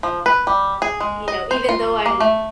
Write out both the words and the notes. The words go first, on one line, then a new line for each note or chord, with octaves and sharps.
m you know, even though I'm
F3
B4
G3
G#4
G#3
D#5
C5
F4
A#3
A3